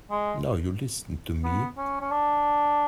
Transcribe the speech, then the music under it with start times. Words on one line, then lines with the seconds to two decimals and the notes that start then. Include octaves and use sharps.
Now you listen to me.
0.11 G#3
1.44 B3
1.78 C#4
2.01 C#4
2.11 D4